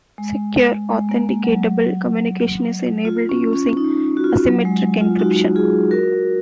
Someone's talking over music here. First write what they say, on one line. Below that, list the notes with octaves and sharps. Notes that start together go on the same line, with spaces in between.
Secure, authenticatable communication is enabled using asymmetric encryption.
G#3
G#3
A#3
F#3
F4
C#4
C#4
D#4
F#4
F4
F#3
G#3
F4
D#4 F#4
F4 G#4
F#4 A#4